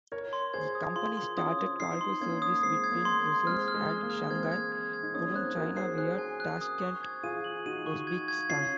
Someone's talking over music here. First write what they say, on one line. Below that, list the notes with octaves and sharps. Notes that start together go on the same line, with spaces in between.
The company started cargo service between Brussels and Shanghai Pudong, China via Tashkent, Uzbekistan.
A#4 C#5 G#6
C6
G#4 C5 G#6
D#6
F4 G#4 C6
C6
C#4 F4 D#6
D#6
C4 D#4 C7
C6
A#3 C#4 G#6
D#6
G#3 C4 C7
G#6
A#3
C6
A#3
C6
G#3 C4 F6
F6
G#3
F6
A#3
F6
G#3 C4 G#6
G#6
G#6
G#6
D#4
A#3 C#4 D#6
C4 D#4 F#6
F#4 A#4 G#5
G#4 C5 C7
G#4 C5 F#6
G#5
F#6
D#6
C#6
G#6
F4 G#4 D#7
F#7
D#4 F#4 D#7
C#6
G#6
G#6
C#4 F4 C7